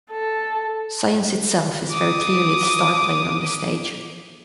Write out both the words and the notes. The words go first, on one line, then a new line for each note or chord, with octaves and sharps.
Science itself is very clearly the star player on this stage.
A4
D6 D#6